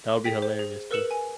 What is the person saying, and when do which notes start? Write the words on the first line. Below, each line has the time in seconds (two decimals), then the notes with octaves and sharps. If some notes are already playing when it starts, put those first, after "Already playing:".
That would be hilarious, too.
0.24 G#4 G5 B6
0.42 C5
0.59 G#4
0.91 A#4 B4 E6 C#7 E7 F#7
1.11 G#5